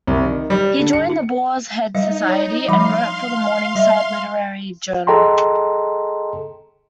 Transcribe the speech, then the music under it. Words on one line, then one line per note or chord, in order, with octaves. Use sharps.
He joined the Boar's Head Society and wrote for the "Morningside" literary journal.
C2
D#3
G3
D3
C#7
G3 D#4 D#5 F5
C#5
F3 G3 F5 B5 C6
G3 D#5 E5
G#4 A4 D#5 G5 A#5 C6